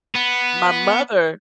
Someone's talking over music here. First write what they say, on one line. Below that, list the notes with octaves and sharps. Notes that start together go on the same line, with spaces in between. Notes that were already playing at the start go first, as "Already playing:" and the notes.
My mother,
B3